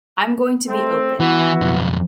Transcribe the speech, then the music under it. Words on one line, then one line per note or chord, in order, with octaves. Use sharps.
I'm going to be open.
A3 C4
E3 B3 E4 F#4
B1 F2